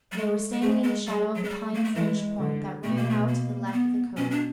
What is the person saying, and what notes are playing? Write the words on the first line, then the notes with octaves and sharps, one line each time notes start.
They were standing in the shadow of the pine-fringed point that ran out to the left of the Cove.
G3
G#3 A3
G#3
G#3 A3
G#3
G3 G#3
F#3
G#3
G3
A#3
A3
E3 G#3
D3
B2 A3
A#3
A3
A#3
A#3
B3
B2 C#4
D4